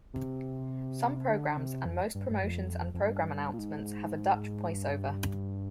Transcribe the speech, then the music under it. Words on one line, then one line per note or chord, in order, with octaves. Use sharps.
Some programs and most promotions and program announcements have a Dutch voice-over.
C3
D3
C3
F2
G2
G2
F2
F2
G2
A#2
G#2
G2